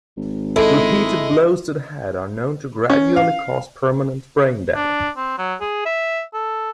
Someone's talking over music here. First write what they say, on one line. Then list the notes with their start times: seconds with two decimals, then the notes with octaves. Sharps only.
Repeated blows to the head are known to gradually cause permanent brain damage.
0.17 G#1
0.56 G#3 E4 A4 D#5
2.90 C#4
3.16 F5
4.75 D4
5.16 C4
5.38 F#3
5.61 G#4
5.85 E5
6.34 A4